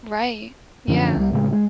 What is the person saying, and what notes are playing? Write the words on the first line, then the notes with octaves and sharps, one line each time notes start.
Right. Yeah.
F#2 D3 F3 C#4
C2 G3
A2 C#3 F3 G#3
G#3